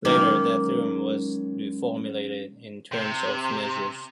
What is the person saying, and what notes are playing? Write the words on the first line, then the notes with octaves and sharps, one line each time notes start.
Later, that theorem was reformulated in terms of measures.
D#3 F#3 G#3 A#3 C#4
C3